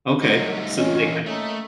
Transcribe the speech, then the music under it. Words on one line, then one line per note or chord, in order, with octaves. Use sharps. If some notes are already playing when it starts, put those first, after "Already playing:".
Okay. So, do they ki
F#3 G3 A3 D#4
A#2 E3 C#4 D#5
A3 A#3 C#4 D#4